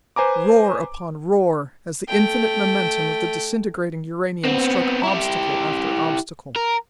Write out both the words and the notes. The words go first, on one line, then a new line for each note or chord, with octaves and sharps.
Roar upon roar, as the infinite momentum of the disintegrating uranium struck obstacle after obstacle.
B4 C5 G#5 A#5 D6
A3 G5
B3 C4
E4 G4
A#4